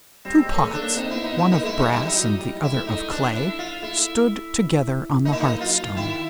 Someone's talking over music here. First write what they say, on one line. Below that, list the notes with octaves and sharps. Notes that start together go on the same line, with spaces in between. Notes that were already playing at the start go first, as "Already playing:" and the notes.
Two Pots, one of brass and the other of clay, stood together on the hearthstone.
G3 C4
G#3
A#3 C#4
A3
D4
A#3
C4 D#4
B3 E4
D#4
B3
E4
A#3 D#4
G#3 A3 E4
D#4
G3 E4
D#4
F#3
G3
E4
A3
D#4
D4
E4
F4
A3 E4
A#3 D#4
E4
A#3 D#4
F#3 F4
D#3 E4